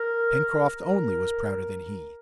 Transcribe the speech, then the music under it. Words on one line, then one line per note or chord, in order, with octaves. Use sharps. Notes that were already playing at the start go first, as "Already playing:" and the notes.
Pencroft only was prouder than he!
Already playing: A#4
A#4